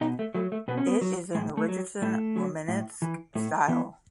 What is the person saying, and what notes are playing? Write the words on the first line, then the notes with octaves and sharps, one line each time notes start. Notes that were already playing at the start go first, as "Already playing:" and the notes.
It is in the Richardson Romanesque style.
B2 D#4
A3
F#3 A3
A3
B2 B3
C#4
B3
F#3
A2 G#3
A3
F#3
A2 A3
F#3
A2
E3
A2 A3
E3 B3